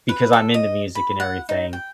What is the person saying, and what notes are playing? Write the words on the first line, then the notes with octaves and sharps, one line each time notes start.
because I'm into music and everything,
B4
A4
D#5
B5
F#5
D#4
G5